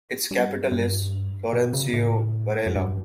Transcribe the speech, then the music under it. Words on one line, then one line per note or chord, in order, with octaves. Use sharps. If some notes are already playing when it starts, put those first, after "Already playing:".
Its capital is Florencio Varela.
G2
G2
B2
C#3
A2
F#2
G2